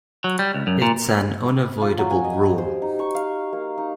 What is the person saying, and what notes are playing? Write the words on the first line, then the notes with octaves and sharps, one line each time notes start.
It's an unavoidable rule.
F#3
G3
C#2
F#2
A#2
B5
F4
F#3
G#5
D#5
G4
C5
D#4
C#6
F5
A#3
D#4